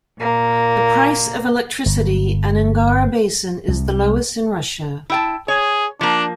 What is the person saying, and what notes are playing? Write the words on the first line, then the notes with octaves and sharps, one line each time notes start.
The price of electricity in Angara basin is the lowest in Russia.
A#2 A#3
G1
C2
E4 G5 A5
G#4 C#5
F3 A#3 D4